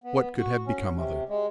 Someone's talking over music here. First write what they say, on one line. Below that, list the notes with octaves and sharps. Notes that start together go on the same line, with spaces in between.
"What could have become of it?"
B3
F#4
C#4
C3
G#3